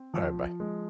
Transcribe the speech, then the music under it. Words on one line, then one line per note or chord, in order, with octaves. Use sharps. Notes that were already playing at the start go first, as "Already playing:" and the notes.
Alright, bye.
Already playing: C4
F3
G#3